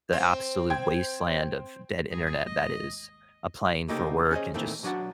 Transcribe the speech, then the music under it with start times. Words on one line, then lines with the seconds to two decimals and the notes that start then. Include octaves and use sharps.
the absolute wasteland of dead Internet that is applying for work and just
0.13 C4
0.70 C5 G5 G#6
2.12 G2 G#4
2.26 G#4
2.46 G#1 D#2 G#3 D#5
3.88 C2 C#3 A#3 D#4 G4 A4
4.31 C#4 G#4 C5 D#5
4.54 A#2 D#3 E3 A3 C4
4.83 B1 F#3 D4 F#5 A5